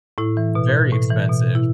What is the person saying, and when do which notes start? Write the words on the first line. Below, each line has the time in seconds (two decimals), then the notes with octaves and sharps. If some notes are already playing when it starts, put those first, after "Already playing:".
very expensive,
0.18 A2 E4
0.37 E3
0.55 B2
0.92 A2
1.10 E3
1.29 B2
1.55 E4